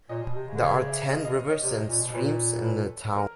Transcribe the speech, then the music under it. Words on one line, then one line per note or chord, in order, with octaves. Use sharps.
There are ten rivers and streams in the town.
A#2 C#5 D#5
B2
C3
C#3
D3
C#3 C5 D5
D5 E5
D#5 F5
D#5 F5
C#5 D#5
C3 C5 D5
A#2
B2
A#2 B4 C#5
A4 B4
A#4